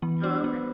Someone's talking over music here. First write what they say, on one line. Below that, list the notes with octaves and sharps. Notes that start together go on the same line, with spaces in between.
Oh, okay.
E3 B3
D4 F#4 C5
B3